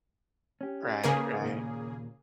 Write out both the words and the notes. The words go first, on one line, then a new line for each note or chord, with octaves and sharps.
Right, right.
C#4 G4
C#3 A#3 G#4 B4
D#2 A#2